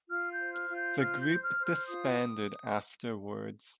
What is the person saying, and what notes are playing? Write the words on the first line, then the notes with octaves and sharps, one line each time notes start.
The group disbanded afterwards.
F4 F6
G6
C5
F6
F4
G6
C5 F6
G6
C5
F6
C5
F6
F4 D#6